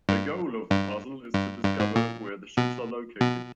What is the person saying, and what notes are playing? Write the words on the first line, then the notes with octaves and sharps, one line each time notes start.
The goal of the puzzle is to discover where the ships are located.
G2
G2
G2
G2
G#2
A#2
B2
B2